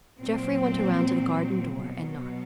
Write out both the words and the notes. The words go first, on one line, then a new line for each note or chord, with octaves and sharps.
Jeffrey went around to the garden door and knocked.
A#2 F#3 C4
B2 F#3